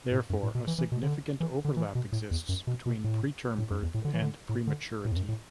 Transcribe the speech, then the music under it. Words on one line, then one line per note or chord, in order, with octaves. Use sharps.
Therefore, a significant overlap exists between preterm birth and prematurity.
A2
F#2
A2
B2
E3
E3
B2
D3
E3
D3
E3
B2
A2
E2
F#2
B2
B2
A2
A2
F#2
E2
A2
D3
E3
D3
A2
D3
A2
E2
F#2
A2